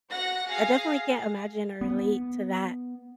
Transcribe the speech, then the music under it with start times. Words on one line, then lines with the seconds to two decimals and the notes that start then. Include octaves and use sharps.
I definitely can't imagine or relate to that-
0.11 F#4 F#5 A#6
0.48 G#4 F5 A#6 C7
1.81 B3